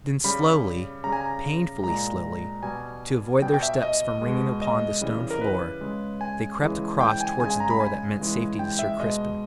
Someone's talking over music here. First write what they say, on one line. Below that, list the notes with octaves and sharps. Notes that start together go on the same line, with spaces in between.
Then slowly--painfully slowly--to avoid their steps from ringing upon the stone floor, they crept across towards the door that meant safety to Sir Crispin.
C#3 G3 B5
C#3 G3 A#5
G#5
A#5
A#2 G#3 A#5
B2 G3 G#5
B2 G3 G5
G5
E5
D#5
B2 G#3
D#5
C#3 E3 G3
A#4
B4
C#3 G#3
G#5
C#3 E3 G#3
G5
G#5
C#3 G#3 G#5
G#5
A#5
B5
G#5
C#3 E3 G#3
G5
E5
B2 G#3 D#5